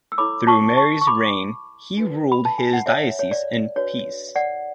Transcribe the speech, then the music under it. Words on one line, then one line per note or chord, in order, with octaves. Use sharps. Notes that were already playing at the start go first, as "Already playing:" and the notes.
Through Mary's reign he ruled his diocese in peace.
E6
E4 A4 C#5 B5 D6
A5 C#6
A5 C#6
C#6
B5 D6
D4 F#4 B4
B5
A5
G#5
F#5
C#5 E5
C#5
D5
D4 F#4 B4 C#5
D5 F#5